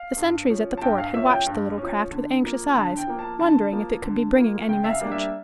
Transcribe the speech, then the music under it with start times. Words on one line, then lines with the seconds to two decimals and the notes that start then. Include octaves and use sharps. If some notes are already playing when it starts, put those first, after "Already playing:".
The sentries at the fort had watched the little craft with anxious eyes, wondering if it could be bringing any message.
Already playing: F5
0.17 G2
0.50 F3 C#4
0.77 A5
0.82 G2 G5
0.98 F5
1.13 F3 C#4 E5
1.30 G5
1.46 G2
1.78 F3 C#4
2.11 D3
2.43 F3 A#3
2.75 D3 A5
2.97 G5
3.07 F3 A#3
3.19 A5
3.40 D3 A5
3.72 F3 A#3
4.04 D3
4.37 F3 A#3
4.69 C#3 G5
4.84 E5
4.90 F5
5.01 G3 A#3 D4
5.12 E5